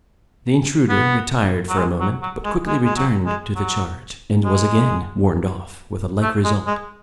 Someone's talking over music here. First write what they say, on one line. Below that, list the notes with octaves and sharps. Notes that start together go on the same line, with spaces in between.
The intruder retired for a moment, but quickly returned to the charge, and was again "warned off," with a like result.
B3
F#3
G#3
F#3
F#3
G#3
G#3
G#3
F#3
G#3
F#3
G#3
A3
G#3
G#3